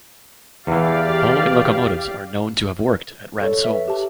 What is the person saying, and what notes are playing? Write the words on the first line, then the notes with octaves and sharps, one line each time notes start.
The following locomotives are known to have worked at Ransomes.
E2 E3 G4 D5 F5
A4 C#5
B4 E5
G4 A5